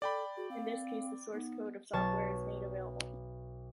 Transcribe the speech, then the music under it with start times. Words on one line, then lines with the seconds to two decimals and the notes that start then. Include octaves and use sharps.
In this case the source code of the software is made available.
0.02 A4 D5 G5 B5
0.37 F#4 G#4
0.50 C4 F5
1.33 B3 D#4
1.93 B1 C#5 A5 A6